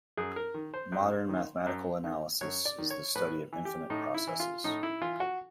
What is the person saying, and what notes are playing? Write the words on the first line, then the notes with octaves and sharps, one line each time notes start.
Modern mathematical analysis is the study of infinite processes.
F#2 G#4
A#4
D#3
C5
F#2
D#3
F#2
D#3
F#2 C#5
D5
D#3
C#5
A2 B4
E3
G4
A2 D#4
E4
E3
F4
A2 D#4
E4
E3 F4
F#4